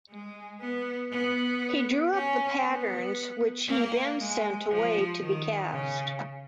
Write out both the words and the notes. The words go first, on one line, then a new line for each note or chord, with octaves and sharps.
He drew up the patterns which he then sent away to be cast.
G#3
B3
B3
C#4
B3
A#3
G#3
F3
D#3
C#3